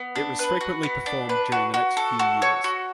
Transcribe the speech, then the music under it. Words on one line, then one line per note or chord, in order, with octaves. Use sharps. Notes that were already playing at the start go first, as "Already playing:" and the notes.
It was frequently performed during the next few years.
Already playing: B3
D4
B4
F#4
B3
D4
B4
F#4
F#4
A4
F#4
C#5
F#4